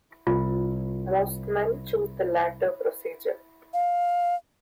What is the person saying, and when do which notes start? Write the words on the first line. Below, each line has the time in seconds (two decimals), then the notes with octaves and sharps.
Most men choose the latter procedure.
0.27 C2 F4
3.74 F5